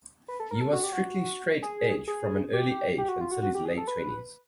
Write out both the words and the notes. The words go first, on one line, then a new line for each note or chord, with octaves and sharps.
He was strictly Straight Edge from an early age until his late twenties.
B4
A4
A#4
A4
F#4
G4
F#4
G#4
G#4
G4
G4
F#4
F4
F#4
F#4
G4
G#4
A4
B4